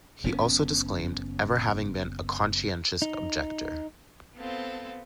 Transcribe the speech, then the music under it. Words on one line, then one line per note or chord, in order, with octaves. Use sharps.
He also disclaimed ever having been a conscientious objector.
F#1 B3 C#4
D#4
B3 C4 F4 A4